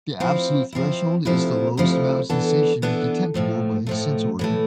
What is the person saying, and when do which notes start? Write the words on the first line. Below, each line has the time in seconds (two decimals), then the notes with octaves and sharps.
The absolute threshold is the lowest amount of sensation detectable by a sense organ.
0.20 F3 C4 E4
0.73 F3 C4 E4
1.25 D2 C3 F3 A3 E4
1.77 D2 C3 F3 A3 E4
2.30 E3 B3 D4 A4
2.82 E3 B3 D4 A4
3.34 A2 F3 A3
3.87 A2 F3 A3
4.39 A2 E3 A3